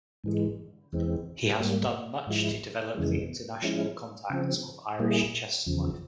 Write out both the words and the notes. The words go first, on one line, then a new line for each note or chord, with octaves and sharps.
He has done much to develop the international contacts of Irish chess life.
G#2 E3 G#3
E2 E3 G#3 C4
G#2 G3 A#3
G#2 F3 G#3 E4
F2 C#3 E3 G#3
F3 G#3 C#4 E4
C#3 F3 C4
A#2 G3 A#3 E4 G#4
E2 C#3 F3